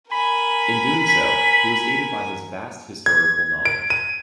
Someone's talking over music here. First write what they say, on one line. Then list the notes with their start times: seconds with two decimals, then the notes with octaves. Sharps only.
In doing so, he was aided by his vast historical knowledge.
0.11 A#4 G#5 B5
3.06 G#6
3.65 D7
3.90 D#7